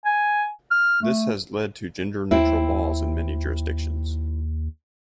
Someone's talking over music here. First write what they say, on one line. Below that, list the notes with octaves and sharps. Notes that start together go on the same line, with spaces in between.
This has led to gender-neutral laws in many jurisdictions.
G#5
F6
A3
D#2 C4 E4